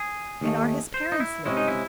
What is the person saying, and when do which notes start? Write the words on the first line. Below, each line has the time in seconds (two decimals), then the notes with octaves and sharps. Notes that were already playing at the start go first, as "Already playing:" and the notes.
"And are his parents living?"
Already playing: G#4
0.41 D#2 D#3 A3
0.94 C5
1.12 D#4
1.20 E4
1.46 C3 D#3 G#3 C#4 E4
1.57 D#4
1.68 E4